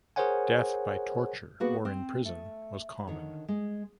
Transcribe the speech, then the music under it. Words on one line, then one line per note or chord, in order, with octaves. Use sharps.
Death by torture or in prison was common.
G#4 A#4 C5 C#5 F#5 G#5
A#3 B3 F#4 G#4 B4
C4
A3
D3 D#3 C#5
G#3